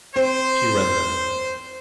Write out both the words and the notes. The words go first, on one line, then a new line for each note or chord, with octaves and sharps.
She read them.
C4 C5